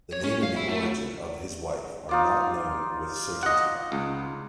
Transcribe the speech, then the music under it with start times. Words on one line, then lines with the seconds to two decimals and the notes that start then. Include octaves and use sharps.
The name and the origin of his wife are not known with certainty.
0.12 C#5
0.24 C#4
0.43 F5
0.56 E4
0.69 A3
2.09 D#4 F4 D5
3.43 D#5 F#5
3.92 C#2